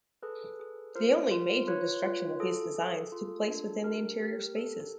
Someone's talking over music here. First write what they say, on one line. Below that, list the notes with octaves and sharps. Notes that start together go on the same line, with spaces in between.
The only major destruction of his designs took place within the interior spaces.
G#4 A4 B4
G#4
F4 A#4 C5
F4
F4 B4 C#5
F4
G#4 A4
G#4
F4
D4
G4 A#4
G4
A4